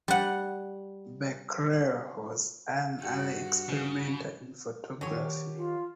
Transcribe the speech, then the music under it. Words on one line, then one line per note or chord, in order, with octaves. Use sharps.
Becquerel was an early experimenter in photography.
G3 F#5
G2 F#4
C#3
D#3 F#3 G4 C#5 G#5
F4